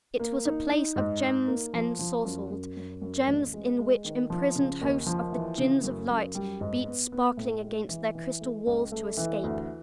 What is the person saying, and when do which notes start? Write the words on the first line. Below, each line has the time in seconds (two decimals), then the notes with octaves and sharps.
It was a place of gems ensorcelled, gems in which imprisoned hosts of the Jinns of Light beat sparkling against their crystal walls to escape.
0.20 A#3
0.45 D#4
0.70 D#4
0.96 G#2
1.22 D#4
1.48 A#3
1.73 F3
1.99 F3
2.24 F#2
2.50 F#2
2.76 F#2
3.02 F#2
3.28 A1
3.54 G#3
3.79 G#3
4.05 D#3
4.30 F3
4.56 C#3
4.81 D#2
5.07 F3
5.33 E3
5.58 C#3
5.84 F#2
6.10 F#2
6.35 G3
6.61 G#2
6.86 B3
7.12 B3
7.37 A2
7.64 G#3
7.89 E3
8.15 E3
8.41 A3
8.67 C#2
8.92 A3
9.17 E3
9.44 D2